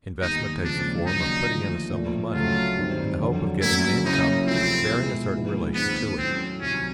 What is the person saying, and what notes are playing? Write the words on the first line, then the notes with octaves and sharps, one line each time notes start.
Investment takes the form of putting in a sum of money in the hope of getting an income bearing a certain relation to it.
D#2 D#3 G3 B3 D#4
D#2 C#3 F3 G#3 C4 D4
D#2 C#3 F#3 A#3 D4 D#4
D#2 D3 F3 A3
A#2 F3 A3
D2 C#3 F#3 A3 F4
G2 D#3 G3 C4
F2 D3 F#3
A2 F#3 A#3 C#4 E4
C#3 F#3 A#3 C#4 D#4 E4
D2 C3 F3 C4
B2 G#3 B3 E4
A#2 F3 G#3 B3 D#4
D#2 D#3 G#3 B3 C4 D#4
A2 F#3 A3 C4 C#4 E4
C2 C3 D#3 F#3 C#4